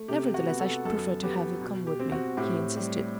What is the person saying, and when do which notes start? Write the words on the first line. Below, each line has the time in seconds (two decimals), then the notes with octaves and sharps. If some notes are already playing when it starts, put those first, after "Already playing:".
"Nevertheless, I should prefer to have you come with me," he insisted.
Already playing: A3
0.08 C3 G4
0.34 F#4
0.47 B3
0.59 A4
0.85 F#2 A4
1.23 B3 G4
1.61 B2
1.87 G4
2.00 C4
2.12 F#4
2.37 A2 G4
2.76 G3